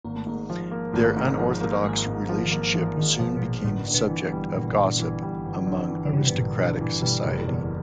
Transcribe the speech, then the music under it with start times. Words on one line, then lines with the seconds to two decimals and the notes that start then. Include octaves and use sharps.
Their unorthodox relationship soon became the subject of gossip among aristocratic society.
0.04 G#1 A#3
0.16 A3
0.27 G#2 A#3
0.50 F3
0.71 A#3
0.93 G#1 A3
1.17 G#2
1.39 F3
1.61 A#3
1.84 G#1 G#3
2.07 G#2
2.29 F3
2.44 D#3
2.52 A#3
2.74 G#1 E3
2.97 G#2 D#3
3.19 B2 F3
3.37 B2
3.42 A#2 A#3
3.64 G1 A2
3.88 G2
3.94 B2
4.09 E3
4.25 B2
4.32 G3
4.55 G1 A#2
4.77 G2
4.99 E3
5.23 G3
5.45 G1
5.67 G2
5.90 E3
6.05 D3
6.13 C#3 G3
6.21 C3
6.28 B2
6.35 G1 A#2
6.57 G2 B2
6.80 A#2 E3
7.02 B2 G3
7.25 F#1 C3
7.42 C3
7.47 E2 B2